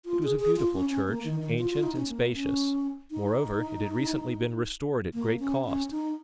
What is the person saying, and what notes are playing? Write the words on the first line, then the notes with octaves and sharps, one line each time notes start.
It was a beautiful church, ancient and spacious; moreover, it had recently been restored at great cost.
F4
G#4
G#4
F4
C#4
C#4
A#3
D#3
D#3
F4
F4
D#4
C#4
A#3
C#4
D#4
A#3
C#4
C#4
D#4